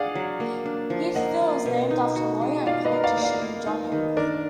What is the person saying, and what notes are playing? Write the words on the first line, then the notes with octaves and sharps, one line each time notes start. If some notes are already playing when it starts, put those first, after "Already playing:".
"Heathsville" is named after lawyer and politician John Heath.
Already playing: D4 G#4 D5 F5 F#5
F#3
A#3
D4
F3
A#3 D#5 F#5
F4
B2
D#4
F#4
G#3
F4 D5 F5
B4 D#5
A#4
D5 F5
A#3
D5 F5
A#3
D#4
D#3
D4 A#4 D5